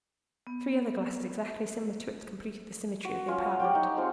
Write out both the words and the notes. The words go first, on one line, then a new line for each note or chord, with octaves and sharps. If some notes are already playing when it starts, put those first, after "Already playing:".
Three other glasses, exactly similar to it, completed the symmetry of the apartment.
B3
F#4
C#4 F4 C#5 F#5
G4 C#5 F#5 G5
D#4
G#3 C4 F4